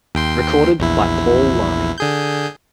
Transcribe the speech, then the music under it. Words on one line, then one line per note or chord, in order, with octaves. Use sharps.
Recorded by Paul Lani.
D#2 G5 C6
A#1 E2 E4
D3 G#4 G6